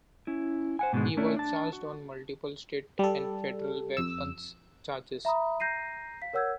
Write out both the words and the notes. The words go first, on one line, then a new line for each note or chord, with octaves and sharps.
He was charged on multiple state and federal weapons charges.
C#4 E4
C5 F#5 G#5
G#2 B2 D3 D#3 G#3
A3 C#4 D4 E4
D4 A5
F#4
G3 A4
F2 E6
E5 A#5 B5 D#6
A#5 G6 A#6 C7 D#7
F5 B6
A#4 C#5 F#5 E6 G6 G#6